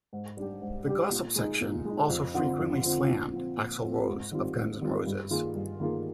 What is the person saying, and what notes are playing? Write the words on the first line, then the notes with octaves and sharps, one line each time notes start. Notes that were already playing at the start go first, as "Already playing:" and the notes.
The gossip section also frequently slammed Axl Rose of Guns N' Roses.
G#2
G3 D4 G4
G#2
G3 D4 G4
A#2
G#3 D#4
A#2
G#3 D#4
F2
D3 F3 C4 F4
F2
D3 F3 C4 F4
A#2
F3 C4
A#2
F3 C4
G#2
D#3 G3 C4 F4
G#2
D#3 G3 C4 F4
G2
D#3 A#3 F4 G#4
G2
D#3 A#3 F4 G#4